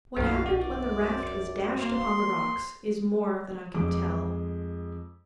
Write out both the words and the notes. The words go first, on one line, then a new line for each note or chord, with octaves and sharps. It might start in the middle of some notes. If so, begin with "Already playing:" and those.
What happened when the raft was dashed upon the rocks is more than I can tell.
B1 F#2 A#2 A3 F5
F#2 F#4 D5
A#3 C6
F2 G#3 D6